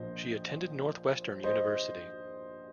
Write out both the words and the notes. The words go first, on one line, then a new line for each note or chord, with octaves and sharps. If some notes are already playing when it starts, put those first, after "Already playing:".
She attended Northwestern University.
Already playing: A#1 A#2 F3 C5 D#5
C5 D#5